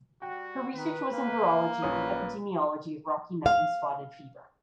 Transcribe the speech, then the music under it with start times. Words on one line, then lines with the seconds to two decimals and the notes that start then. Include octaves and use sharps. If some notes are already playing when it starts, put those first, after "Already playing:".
Her research was in virology and epidemiology of Rocky Mountain Spotted Fever.
0.22 G3 F#4 G5
0.75 D#3 B4
1.12 A#3
1.82 A#1 C#4 B4 D#6
3.46 F5